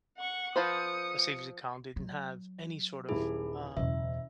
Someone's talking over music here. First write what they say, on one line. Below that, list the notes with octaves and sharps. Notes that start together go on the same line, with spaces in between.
a savings account, they didn't have any sort of, um,
F#5 C#6
F3 B4 C5 D#6 C#7
F#3
D#1 E4 G#4
F#1 E2 B2 E5